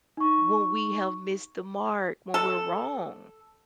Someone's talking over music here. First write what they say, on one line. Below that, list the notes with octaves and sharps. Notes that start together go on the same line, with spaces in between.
when we have missed the mark, when we're wrong.
D#4 C#6
A4